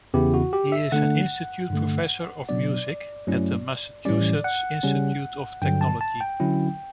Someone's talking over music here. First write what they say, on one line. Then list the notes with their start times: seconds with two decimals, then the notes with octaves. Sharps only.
He is an Institute Professor of music at the Massachusetts Institute of Technology.
0.14 E2 C#3 E3 B3 E4 G4
0.34 F#4
0.53 G4
0.72 E5
0.92 D3 A3 D4 F#5
1.70 G2 D3 A3
2.49 B2 F#3 B3 D4 D5
3.27 G2 F#3 A3 C#4 E4
4.05 A2 E3 G3 C#4 D5
4.44 F#5
4.83 C#3 G3 C#4
5.62 G2 D3 F#3 G5
5.81 A5
6.01 A5
6.21 G5
6.40 D3 F#3 C#4 E4